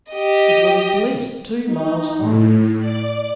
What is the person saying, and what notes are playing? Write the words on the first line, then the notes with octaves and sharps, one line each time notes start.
It was at least two miles high.
G4 D#5
D#4
A2
D5